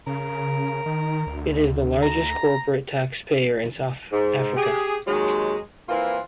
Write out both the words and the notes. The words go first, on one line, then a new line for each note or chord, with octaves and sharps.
It is the largest corporate taxpayer in South Africa.
C#3 A#4
D#3
D2
A#5
G#2
G4 G#4
D#2 F#3 G#3
E3 A#3 C4 E4 F4